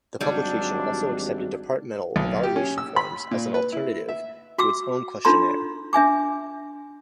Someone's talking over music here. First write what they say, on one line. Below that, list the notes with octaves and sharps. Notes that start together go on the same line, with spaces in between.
The publication also accepted departmental evaluation forms as an alternative to its own questionnaire.
G#1 F#3 G3 D4
B1
G4
C#4
E6
B5
A#2
B4
E4
E5
F#4 D6 E6
D4 D#4 F4 A4 A#5 C6
D4 E5 G#5 D6